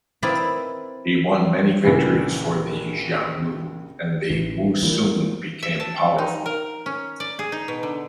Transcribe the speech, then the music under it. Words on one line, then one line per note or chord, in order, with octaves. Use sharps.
He won many victories for the Xiongnu and the Wusun became powerful.
C4 E4 A#4 B4 D5 D#5
A#1 C#3 E3
A1 E3
E3 F3 G3 A#3
E5
A5
D#4
A#4
C#4
D5
G#4
D#4
B2
D3